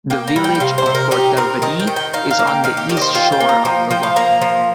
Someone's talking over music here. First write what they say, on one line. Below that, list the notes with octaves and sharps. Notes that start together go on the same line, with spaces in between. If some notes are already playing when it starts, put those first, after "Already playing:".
The village of Portavadie is on the east shore of the loch.
A#3 G5
A#5
G3
G5
G5
C3 F5
C5
C3
A#4
D#4 G4
C4 A#4
D#3 D#5
G5
D#3
G5
D#4 F5
F5
A#3
G5
D#3 F5
G4
D#3 G4
D#5
C5
F4 G5
G5
A#3
A#5
F3 G5
F3 G5
F5
A#3 A#5
F3